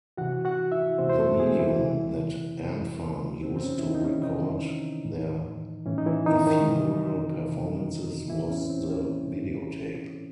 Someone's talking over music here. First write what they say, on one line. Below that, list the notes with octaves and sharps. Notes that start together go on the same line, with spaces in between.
The medium that Ant Farm used to record their ephemeral performances was the videotape.
C3 E3 F#4 F#5
F#4 F#5
E4 E5
C3 E3 C4 C5
C5
A3 A4
G#3 G#4
E3 E4
C3 E3
C3 E3
C3 E3 C4
C4
C#4
E4
D#3 D#4
D#4
C#4
C3 D#3 E3 D#4
A2 E3
A2 E3 C#4
D#4
E3 E4
D#3 D#4
D#3 D#4
C3 E3
C3 E3
A2 E3 E4
C#4
C4
C#4